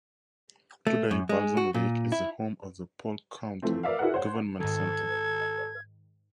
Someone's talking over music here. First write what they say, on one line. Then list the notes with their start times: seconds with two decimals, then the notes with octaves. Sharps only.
Today, Balsam Lake is the home of the Polk County Government Center.
0.87 A3
1.11 F#2
1.29 G#3
1.57 F#4
1.74 A#2
2.12 E4
3.62 E3 F3 A3 C4
3.83 A#4 B4 D5 E5 F5
3.99 E4 F#4 G#4 A#4 B4 F#5
4.14 C5 C#5 F#5
4.60 G#2 D#3 A4 G#6